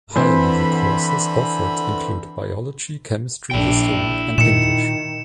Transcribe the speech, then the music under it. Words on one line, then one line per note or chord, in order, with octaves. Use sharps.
Higher level courses offered include Biology, Chemistry, History, and English.
D3 E3 C4 B5
A#1 D4 E4 G5
A#2 D#3 C#7 E7